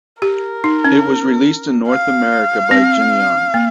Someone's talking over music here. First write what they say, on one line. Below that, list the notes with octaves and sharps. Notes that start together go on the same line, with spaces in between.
It was released in North America by Geneon.
G4 A#4
D#4
C#4
F5
C4
A#3